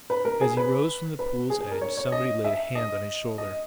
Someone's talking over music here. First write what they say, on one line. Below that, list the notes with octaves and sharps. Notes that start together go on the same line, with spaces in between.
As he rose from the pool's edge, somebody laid a hand on his shoulder.
B4
A#4
G#4
B4
B4
G#4
G#4
A#4
C#5
C#5
D#5
E5
D#5
D#5